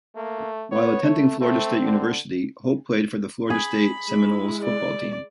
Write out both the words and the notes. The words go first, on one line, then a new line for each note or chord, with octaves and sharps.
While attending Florida State University, Hope played for the Florida State Seminoles football team.
A3 A#3
B3 C#5
A3
A3 C4
D3
G#4 B5
G#3 E4
D5